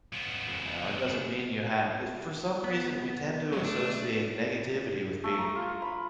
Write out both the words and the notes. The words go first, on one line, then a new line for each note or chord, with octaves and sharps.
You know? It doesn't mean you have eh, for some reason, we tend to associate negativity with being
C#3 B3
B3
C3 F#3 G#3
A3 D4
A3
A#5
F4
B5